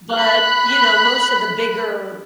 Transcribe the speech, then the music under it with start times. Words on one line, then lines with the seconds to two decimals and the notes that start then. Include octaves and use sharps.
But, you know, most of the bigger
0.15 B5 F#6